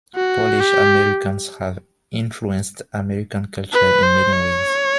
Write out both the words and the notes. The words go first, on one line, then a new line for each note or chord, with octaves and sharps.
Polish-Americans have influenced American culture in many ways.
F#4
G4
B4
C5
C#5